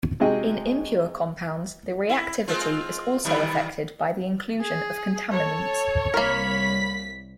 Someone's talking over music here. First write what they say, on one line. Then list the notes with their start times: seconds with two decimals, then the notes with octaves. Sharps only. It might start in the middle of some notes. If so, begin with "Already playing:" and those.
In impure compounds, the reactivity is also affected by the inclusion of contaminants.
0.20 C3 G#3 F#4 G#4 D#5 G5
2.09 E4
2.48 G#3 C4 F4
3.25 C3 D#3 G3
4.61 G#4
5.31 A4 C#5
6.14 C2 A#3 A#4 B5 B6